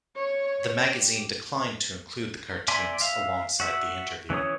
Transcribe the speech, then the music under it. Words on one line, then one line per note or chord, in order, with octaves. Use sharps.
The magazine declined to include the cartoons alongside the interview.
C#5
G4
D5 E5 G#5 C6
E5 F5
F#4 E5
E3 C#4 C#5 D#6